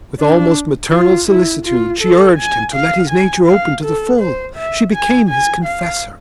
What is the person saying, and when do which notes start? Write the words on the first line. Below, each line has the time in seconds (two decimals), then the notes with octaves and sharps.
With almost maternal solicitude she urged him to let his nature open to the full: she became his confessor.
0.20 D4
0.92 F4
1.29 E4
1.65 F4
2.02 A4
2.38 G#5
2.74 F5
3.11 G#5
3.47 F5
3.84 A4
4.20 C5
4.56 E5
4.93 G#5
5.29 G#5
5.65 F5